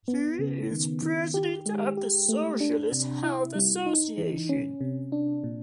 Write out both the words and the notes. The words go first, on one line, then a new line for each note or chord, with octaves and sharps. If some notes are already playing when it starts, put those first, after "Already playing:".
He is President of the Socialist Health Association.
B3
C#3
D#3
D#3
G4
G#3
G4
A3
D4
C3
E4
G3
D#4
E3
C#4
C3
D4
A#2